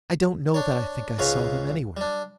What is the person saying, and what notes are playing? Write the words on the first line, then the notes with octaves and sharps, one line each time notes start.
'I don't know that I think I saw them anywhere.
D4 C#5
C#2 G#2 B4 C#5 F5
G3 D4